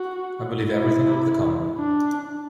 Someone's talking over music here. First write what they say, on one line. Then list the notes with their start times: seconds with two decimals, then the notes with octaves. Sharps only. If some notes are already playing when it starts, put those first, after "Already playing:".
I believe everything out of the common.
Already playing: F#4
0.70 E4
1.78 D4